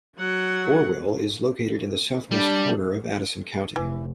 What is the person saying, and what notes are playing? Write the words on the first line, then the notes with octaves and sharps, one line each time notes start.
Orwell is located in the southwest corner of Addison County.
F#3 F#5
G3 D4
F1 E3